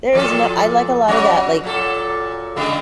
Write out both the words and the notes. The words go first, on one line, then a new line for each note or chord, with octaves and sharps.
there is no I like a lot of that, like,
A#2 F3 A4
F#3 C#4 F#4
A#2 F#3 A4
C#3 G#3 A#3